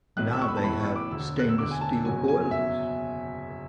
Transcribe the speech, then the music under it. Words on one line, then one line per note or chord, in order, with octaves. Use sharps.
Now they have stainless steel boilers.
B1 A2 E3 F#6
E6
C#6
B5
A5
B1 A2 E3 B5
C#6
D6
E1 D2 D3 E6
F#6
E6
E1 D2 D3 D6
G#5
A5
F#1 E2 B2 F#3 G#5
G#5
E5